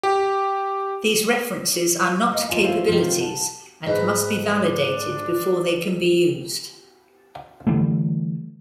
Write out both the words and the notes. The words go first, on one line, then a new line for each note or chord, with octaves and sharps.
These references are not capabilities, and must be validated before they can be used.
G4
A#3 D#5
E2 F4 D#5 G#5
E4 F4 A4 C5 C#5 F5
C3 D#3 F3 F4
F#5 A5
G#2 B4 D#5
D4
D3 E3 G3 A3